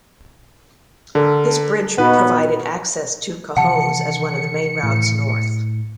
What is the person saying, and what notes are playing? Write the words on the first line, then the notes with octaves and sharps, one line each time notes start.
This bridge provided access to Cohoes as one of the main routes north.
D3 A4 A#4
A#2 B3 D#4 F#4 B4
C3 D#3 E3 F#5 A5 C#7
A2